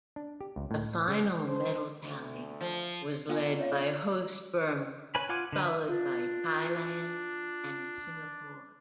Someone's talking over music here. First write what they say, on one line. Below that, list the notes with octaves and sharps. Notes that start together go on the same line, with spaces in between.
The final medal tally was led by host Burma, followed by Thailand and Singapore.
D4
G4
C#2
A2
C#3
D4 C5
D2
F3
B3 F4 F#4 F5 G#5 A#5
C#5 E5 F5
B4 C#5 G#5 B5
F4 F#5 G#5 D6
D3 B4
E5
D4 F4